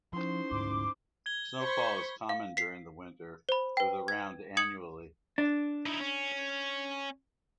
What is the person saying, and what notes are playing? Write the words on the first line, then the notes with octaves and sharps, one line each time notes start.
Snowfall is common during the winter, with around annually.
F3 C#4 D#4 E4 C5 C6
D2 G#2 D6
G#6 G7
C5 B5 C#6
F5
B6 C7
C5 B5
B4 G5
G#6
D#6 G#6 C#7 F#7
D4
D#4 E4
C#4